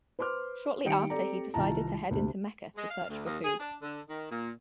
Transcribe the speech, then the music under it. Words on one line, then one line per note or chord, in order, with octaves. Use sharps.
Shortly after He decided to head into Mecca to search for food.
B4 C5 C6 D6 F6
D#3 G3 G5 C#7 D7
C4 G4 A4 D5 A#5
C2 D#3 F4 A5 A#5
D2 C3
G#3
F5
D2
D#2
G#4
D4
D3
D#3
A#2